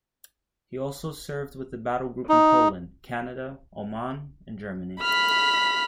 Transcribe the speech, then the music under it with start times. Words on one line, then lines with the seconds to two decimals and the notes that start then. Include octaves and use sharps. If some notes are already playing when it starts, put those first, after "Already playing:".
He also served with the Battle Group in Poland, Canada, Oman and Germany.
2.29 D#4
5.02 B5 F6 B6